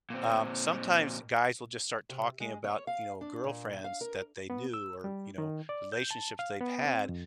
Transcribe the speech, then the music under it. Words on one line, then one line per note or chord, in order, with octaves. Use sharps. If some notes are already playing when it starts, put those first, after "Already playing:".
Um, sometimes guys will just start talking about, you know, girlfriends that they knew or, you know, relationships they've had
A#2 C4
C3
G#3
C#5
F5
D4
A#2
F5
A#4
B3
E6
G3
D#3
D5
G6
A5
F5
B3
C4
F2